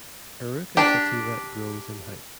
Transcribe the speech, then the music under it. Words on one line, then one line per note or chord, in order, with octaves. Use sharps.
"Eruca sativa" grows in height.
D4 G4